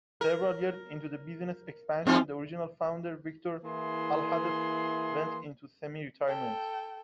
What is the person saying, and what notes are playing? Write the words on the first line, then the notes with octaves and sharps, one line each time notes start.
Several years into the business expansion, the original founder, Victor Alhadeff, went into semi-retirement.
A#4
G2 E3 C4 F4
E3 A#3 E4 G#4 C6
A4 G5